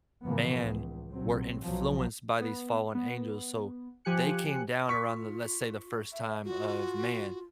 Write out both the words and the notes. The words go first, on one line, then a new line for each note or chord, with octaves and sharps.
man were influenced by these fallen angels, so they came down around, let's say, the first time of man.
A2 C#3 E3 F3 A#3 B3
C#2
A#1 C3 F#3 C4
B1 B2 F3 F#3
B3
B3
F3 G4 G#5 F#6 C#7
F4 C#6 B6
E5
F4 F#4